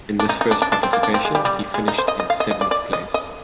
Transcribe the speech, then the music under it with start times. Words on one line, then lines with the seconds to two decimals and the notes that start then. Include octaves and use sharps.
In this first participation, he finished in seventh place.
0.19 D4
0.29 D#4
0.41 D#4
0.51 D4
0.62 D4
0.72 D4
0.83 C4
0.93 A#3
1.03 D4
1.14 C4
1.25 G#3
1.35 G3
1.45 G3
1.74 G#3
1.88 D#4
1.98 C5
2.08 D#5
2.20 D#5
2.30 F5
2.40 D#5
2.51 D#5
2.61 D5
2.71 D5
2.93 D#5
3.14 D#5